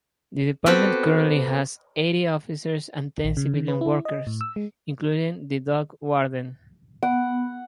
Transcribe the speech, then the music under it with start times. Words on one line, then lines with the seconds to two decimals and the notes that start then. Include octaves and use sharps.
The department currently has eighty officers and ten civilian workers, including the dog warden.
0.66 B3 C4 F#4 G4 A4
3.24 A#1
3.37 C#3
3.54 D#3
3.68 B4
3.81 E4
4.05 D#5
4.27 A2
4.41 E6
4.56 G#3
7.03 B3 F#5